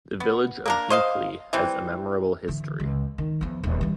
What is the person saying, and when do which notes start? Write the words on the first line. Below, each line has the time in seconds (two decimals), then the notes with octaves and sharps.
The Village of Hinckley has a memorable history.
0.20 B3
0.66 A#3 D4 A#4
0.90 C5 D#5 F5
1.53 E3 G3 C4
2.48 D3 E3
2.80 C#2
3.18 D#3
3.41 E2 F3
3.63 D#1
3.81 E3 G3